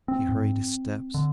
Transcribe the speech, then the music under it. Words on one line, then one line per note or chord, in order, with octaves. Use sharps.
He hurried his steps.
C4
G#2
D3